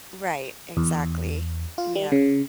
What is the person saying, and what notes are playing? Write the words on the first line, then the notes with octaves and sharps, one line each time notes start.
Right, exactly, yep,
E2
F4
G3
C#3